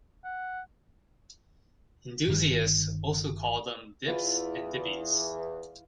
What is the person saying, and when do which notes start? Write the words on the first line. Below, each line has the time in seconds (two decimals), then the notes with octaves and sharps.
Enthusiasts also call them dips and dippys.
0.24 F#5
2.28 G1 D#3
4.07 E2 E3 E4 F4 B4